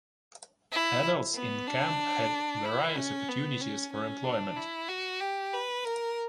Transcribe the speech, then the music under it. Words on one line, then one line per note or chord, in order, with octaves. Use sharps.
Adults in camp had various opportunities for employment.
E4
B3
D4
E4
C#4
B3
C#4
C#4
D4
E4
F#4
G4
B4
A#4